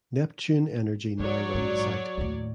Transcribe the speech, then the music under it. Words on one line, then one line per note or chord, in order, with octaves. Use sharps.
Neptune Energy now run the site.
F3 F#3 C#5 D5
A#1 G#2
D#2 A2